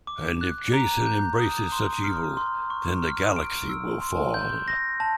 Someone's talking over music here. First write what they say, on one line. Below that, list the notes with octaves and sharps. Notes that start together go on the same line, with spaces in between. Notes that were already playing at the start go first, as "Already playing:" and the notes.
And if Jacen embraces such evil, then the galaxy will fall.
D6
F#6
A#5
G6
D#6
C6
F6
C6
C#6
F6
D7
E6
C6
G6
A#6
A5